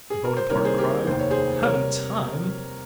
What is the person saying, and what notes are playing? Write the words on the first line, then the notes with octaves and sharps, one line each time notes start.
Bonaparte cried, 'Haven't time?
G#4
A#4
C5
C2 C3 D#3 A#3 A#4 C#5
G#4 C5
G4 A#4
F1 D#2 D#3 A#3 C5
C#5
G#4 C5
C3 G3 A#4 C#5